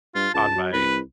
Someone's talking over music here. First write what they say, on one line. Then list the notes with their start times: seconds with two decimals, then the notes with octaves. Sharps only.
on my
0.15 G2 F4
0.34 C#2 A5
0.55 F#3
0.73 C2 B4